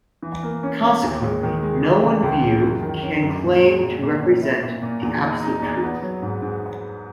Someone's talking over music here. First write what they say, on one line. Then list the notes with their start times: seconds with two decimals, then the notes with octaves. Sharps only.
Consequently, no one view can claim to represent the absolute truth.
0.23 E3
0.43 A#3
0.63 C#4
0.83 C#4
1.03 D#2
1.22 G#3
1.43 D#3
1.63 G#3
1.82 E3
2.03 C#3
2.23 C#2
2.43 C#3
2.63 F#2
2.82 D#3
3.03 C#4
3.22 F#2
3.42 A#2
3.63 G#3
3.83 A#2
4.02 A#2
4.22 C#4
4.43 E4
4.62 A#2
4.82 A#2
5.02 E2
5.22 D#4
5.42 D#4
5.62 E2
5.83 B3
6.02 F#3
6.22 G#2
6.42 G#2